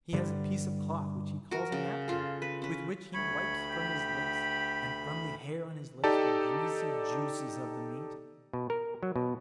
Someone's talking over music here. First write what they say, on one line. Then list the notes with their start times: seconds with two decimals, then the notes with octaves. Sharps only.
He has a piece of cloth which he calls a napkin, with which he wipes from his lips, and from the hair on his lips, the greasy juices of the meat.
0.13 G2 D3 G3
1.51 F#4 A#4
1.72 C#3
2.08 F4 A4
2.42 B4
2.62 C#4 B4
3.14 D2 C#5 B5
3.70 G4
6.04 D#4 G4 A4 D5 A5
8.53 B2
8.70 A#4
9.03 F#3
9.16 B2